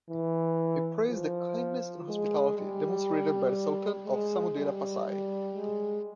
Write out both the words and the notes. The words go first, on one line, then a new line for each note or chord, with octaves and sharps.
He praised the kindness and hospitality demonstrated by the sultan of Samudera Pasai.
E3
F3
G#3
G3
G#3
G3
G3
G#3